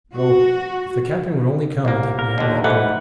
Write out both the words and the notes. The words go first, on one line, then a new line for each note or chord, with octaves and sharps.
Oh, if the captain would only come and take me out of that boat!
F#4
C2 A#3
A#4
D#2 D3
G#2 E3 G3 A3 F#5